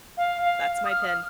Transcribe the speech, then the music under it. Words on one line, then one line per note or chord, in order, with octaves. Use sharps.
That's my pin."
F5
F5
D#6
F6